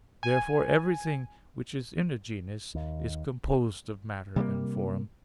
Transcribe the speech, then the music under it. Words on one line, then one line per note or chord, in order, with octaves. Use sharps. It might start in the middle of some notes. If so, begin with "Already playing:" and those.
Therefore everything which is in a genus is composed of matter and form.
G#5
D#2
C3 G3 G#3 A#3